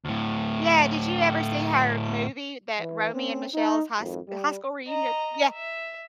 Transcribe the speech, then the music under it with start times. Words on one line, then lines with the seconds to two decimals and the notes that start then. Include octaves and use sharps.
Yeah. Did you ever see her movie that Romy and Michelle's High S High School Reunion? Yeah.
0.05 D2 A2
2.79 E3
3.13 C4 C#4
3.54 D#4
3.98 G#1 F2
4.28 G3
4.86 D#5 A#5
5.54 E5